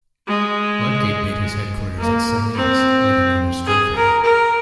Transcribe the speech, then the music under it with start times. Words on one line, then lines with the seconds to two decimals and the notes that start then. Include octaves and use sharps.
Ludgate made his headquarters at Salines, later known as Drocourt.
0.28 G#3
1.98 A#3
2.55 C4
3.67 G#4
3.96 A#4
4.24 A#4